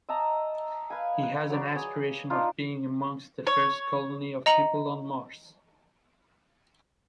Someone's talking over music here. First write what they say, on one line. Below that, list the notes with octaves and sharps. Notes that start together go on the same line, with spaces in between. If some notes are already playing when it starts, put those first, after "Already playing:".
He has an aspiration of being amongst the first colony of people on Mars.
D#5 E5 A5 A#5
B4 F5 G#5
B4
F#3 D5
G#4 C#5
D4 D#4 F4 B4
C#5
D#5 A#5 C#7 F#7